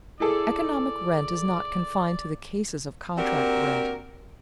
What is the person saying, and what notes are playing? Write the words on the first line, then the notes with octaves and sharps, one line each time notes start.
Economic rent is not confined to the cases of contract rent.
E4 G#4 A4 D5
A#3 C4 D4 F#4 G4 A#4